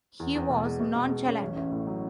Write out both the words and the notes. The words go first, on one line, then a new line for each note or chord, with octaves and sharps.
He was nonchalant.
E2
E2
B2
G#3
B2
B2
G#3
C#4
A1
A1
A2
F#3